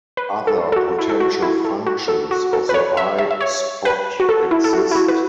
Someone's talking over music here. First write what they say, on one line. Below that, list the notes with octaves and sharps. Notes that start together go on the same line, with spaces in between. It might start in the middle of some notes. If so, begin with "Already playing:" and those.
Other potential functions of the eye spot exist.
B4
A4
A4
F#4
E4
A4
F#4
E4
A4
F#4
A4
F#4
A4
B4
C#5
E5
E5
E5
C#5
B4
F#4
A4
E4
A4
F#4
E4
F#4
B4